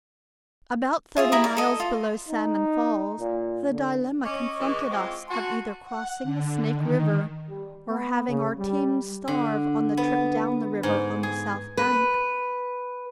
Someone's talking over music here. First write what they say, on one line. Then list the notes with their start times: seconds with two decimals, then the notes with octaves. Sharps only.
About thirty miles below Salmon Falls the dilemma confronted us of either crossing the Snake River or having our teams starve on the trip down the river on the south bank.
1.17 F4 G#4 E5
1.32 E4 G4 A#4 D#6
1.44 D5
1.57 A4 D#5
1.80 F4
2.28 D#4
3.19 A#2
3.70 D3
4.24 C#4 D#5 C#6 D6
4.58 E3 G#3
4.89 G#3 C4 F4
5.28 F#4 G#5 A5 C6
5.84 F#5
6.23 D3
6.74 D#3
7.50 G3
7.88 B3
8.29 C#3
8.58 G3
9.28 D3
9.97 B3
10.83 G#2
11.23 G#4
11.77 B4